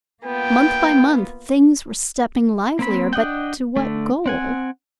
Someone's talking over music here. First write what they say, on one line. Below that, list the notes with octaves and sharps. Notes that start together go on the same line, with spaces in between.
Month by month things were stepping livelier, but to what goal?
A#3 B3 F4 G5
A#3 C4 B5
D4 D#5 F#5 G5
D3 A3
C4 F#5 G#5